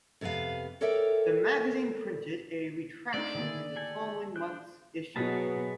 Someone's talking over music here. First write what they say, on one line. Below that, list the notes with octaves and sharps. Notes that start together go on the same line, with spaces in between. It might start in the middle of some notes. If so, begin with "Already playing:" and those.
The magazine printed a retraction in the following month's issue.
F2 C3 B3 B4 F5
A4 A#4 C#5 D5 E5 G5
A3 C4 D4 D#4 F4 D5
D3 D#3 A#3 E4 G#4
G4 A4 G#5
D4 C5 F#6
B2 F#3 G#4 B4 A5